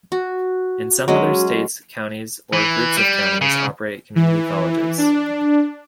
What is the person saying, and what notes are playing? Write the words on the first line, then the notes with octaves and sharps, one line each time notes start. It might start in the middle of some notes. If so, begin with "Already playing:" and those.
In some other states, counties or groups of counties operate community colleges.
F#4
F#3 G#3 C#4
E3
G3
C#3
E3
D4